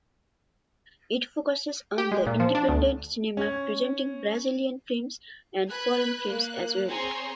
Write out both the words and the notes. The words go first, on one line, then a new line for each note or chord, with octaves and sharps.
It focuses on the independent cinema presenting Brazilian films and foreign films as well.
G4
G#3
A#2
F3
D4
D2
C#4 G#6
B4 B5 F#6 G#6
A#3 F#6
C4 G#4 C5 C#5 A#5 C6